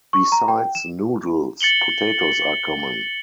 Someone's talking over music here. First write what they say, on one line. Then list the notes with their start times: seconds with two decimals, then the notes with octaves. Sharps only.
Besides noodles, potatoes are common.
0.13 C#6
0.32 A#5
0.48 G5
0.75 E7
1.61 A6 C#7 F#7 G7